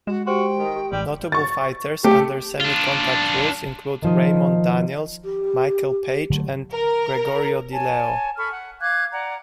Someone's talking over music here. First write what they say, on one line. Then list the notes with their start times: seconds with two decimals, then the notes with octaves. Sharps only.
Notable fighters under semi-contact rules include Raymond Daniels, Michael Page, and Gregorio Di Leo.
0.07 G#3 F#4 E7
0.27 F#4 G4 C5 G5 C6
0.57 D#3
0.76 G4
0.92 A1 G3
1.32 C#6 A6
2.04 A3 G4
2.61 D4 F4
4.02 D#3 F3 D#5
5.24 G4
6.30 D3 F#3 A3
6.72 A#4
7.72 C#5 G#5 A5
8.37 A4 B5 C#6 F6
8.52 F#5
8.81 F5 D6 F#6 G#6
9.13 D5 F#5 A#5